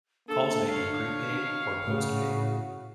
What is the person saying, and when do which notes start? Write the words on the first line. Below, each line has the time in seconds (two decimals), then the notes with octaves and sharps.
Calls may be prepaid or postpaid.
0.28 A#3 D4 A4
0.67 D3 C#5 F5
1.30 D#3
1.87 A2 C#3 F#4